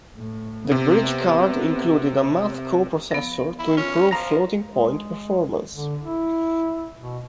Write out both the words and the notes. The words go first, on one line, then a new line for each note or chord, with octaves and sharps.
The bridge card included a math co-processor to improve floating-point performance.
A2
C3 B3
F3 B3 A#6
E4
C#4 F4
F3 A#5 A#6
G#3
D3
E4
B2